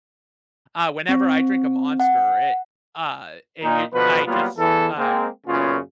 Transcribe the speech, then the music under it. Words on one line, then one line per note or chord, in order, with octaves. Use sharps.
Uh, whenever I drink a Monster it, uh, it, you I just, uh,
C4
F#5
A#2 D#4
B2 D3 F3 B4
F#3 G3 A#3 B3 F4
E2 E3 A4
G#3 A#3 C4
F#2 A#2 C#3 B3 C#4 F4